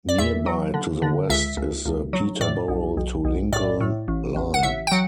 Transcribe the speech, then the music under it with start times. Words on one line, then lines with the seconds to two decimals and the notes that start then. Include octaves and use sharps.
Nearby to the west is the Peterborough to Lincoln Line.
0.09 D5
0.18 E2 E5
0.46 F#3
0.74 D3
1.02 D3
1.30 C#2 E5
1.57 C#2
1.86 C#2
2.13 F#3
2.41 A2 D5
2.68 B1
2.97 B1
3.25 B1
3.52 A2 D5
3.80 A2
4.08 A1
4.36 A1
4.54 F#5
4.63 A1 E5
4.87 G5
4.91 F#3 F#5